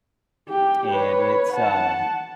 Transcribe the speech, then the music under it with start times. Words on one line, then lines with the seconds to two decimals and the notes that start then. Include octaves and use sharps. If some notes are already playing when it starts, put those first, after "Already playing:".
and, it's, uh,
0.48 G4
0.91 B4 C#5
1.52 F#5 A5